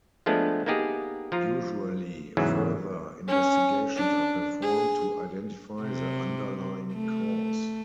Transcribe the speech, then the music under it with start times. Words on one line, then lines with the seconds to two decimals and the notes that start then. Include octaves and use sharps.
Usually, further investigations are performed to identify the underlying cause.
0.26 F3 G#3 A3 B3 D4
0.66 A#3 B3 D#4 G4 G#4
1.32 F3 F4 A#5
2.37 E2 G#2 C#3 E3 F#3
3.28 C#4
3.96 D4
4.62 G#4
5.82 C3
6.94 A3